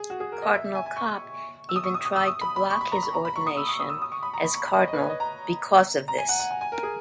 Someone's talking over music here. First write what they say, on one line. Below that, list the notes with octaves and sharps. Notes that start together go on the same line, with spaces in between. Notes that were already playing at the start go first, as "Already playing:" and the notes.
Cardinal Kopp even tried to block his ordination as Cardinal because of this.
Already playing: G#4
F#4
G#4
A#4
D#5
E5
E5
G#5
G#5
C#6
E6
D#6
C#6
D#6
D#6
E6
D#6
B5
B5
C#6
B5
A#5
B5
A#5
B5
C#6
D#6
E6
D#6
D#6
E6
D#6
C#6
B5
A#5
B5
C#6
B5
D#5
D#5
B4
C#5
D#5
A#5
A#5
G#5
F#5
F#5
G#5
G#5
A#4
G#4